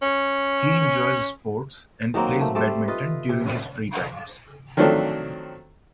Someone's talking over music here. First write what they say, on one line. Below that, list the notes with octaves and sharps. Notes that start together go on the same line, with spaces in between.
He enjoys sports and plays badminton during his free times.
C#4
D#3 F#3 A#3 C4
A3
G3 A3 A4 C5
F4 B4 D#5
C3
D#3 F3 F#3 A3 C4 D4